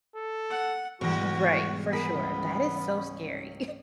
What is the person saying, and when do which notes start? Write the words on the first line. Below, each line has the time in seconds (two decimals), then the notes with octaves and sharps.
Um, v right, for sure, that is so scary.
0.16 A4
0.50 F#5
1.01 B1 E2 G#2 E3 G3 F#4 A#6
1.93 B3 G#4 A#4 B6
2.14 C#2
2.97 C#4